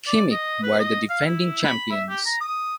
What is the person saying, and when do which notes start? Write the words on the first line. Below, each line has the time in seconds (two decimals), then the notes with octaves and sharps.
Khimik were the defending champions.
0.07 D5
0.31 D#5
0.63 B4
0.80 D#5
1.10 F5
1.26 E4
1.64 B5
1.91 E5
2.09 G4
2.26 A#5
2.40 D#6